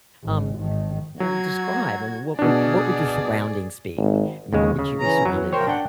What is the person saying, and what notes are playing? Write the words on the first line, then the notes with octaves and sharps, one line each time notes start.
um, w well, describe I mean, what would what would your surroundings be? I mean, what would you be surrounded by?
G#1
G#1 D#3
F#3 F#4 G#6
B2 D4 G#4 D5
G#1
D#2 C#3 G#3
C#3
E3 C#4 A#5
E2 E3 F#3
F#2 A#4 C5 C#5 G5
D4 F#5 G5